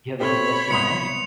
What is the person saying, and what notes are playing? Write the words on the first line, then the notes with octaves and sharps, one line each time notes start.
You have a good rest of your night.
A3 C4 G4 C#5 B5
C2 B3 C6 D#6 C#7 F7